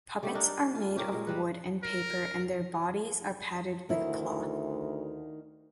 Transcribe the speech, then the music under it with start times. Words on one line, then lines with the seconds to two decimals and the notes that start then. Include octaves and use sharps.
Puppets are made of wood and paper and their bodies are padded with cloth.
0.23 G3 A3 G4
0.34 D4 D#4 A#4
0.75 F4
0.96 C#4 G4 A#4
1.12 A#2 G#3
1.27 G3 B4
1.83 A#4
3.89 D2 D#3 E4